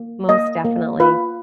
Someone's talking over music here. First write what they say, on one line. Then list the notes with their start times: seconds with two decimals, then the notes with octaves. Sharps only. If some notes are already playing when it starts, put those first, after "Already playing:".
Most definitely.
Already playing: A#3
0.29 A#3 D#5
0.65 A#3
1.00 F4 B4